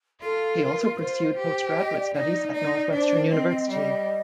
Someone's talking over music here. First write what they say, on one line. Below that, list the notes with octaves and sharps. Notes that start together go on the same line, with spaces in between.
He also pursued postgraduate studies at Northwestern University.
F4 A4
A#4
A#4
F4 C5
G4
D#5
D5
D#4 D5
D#4 D5
D4 C5
C4 D#5
D#5
G3 D#5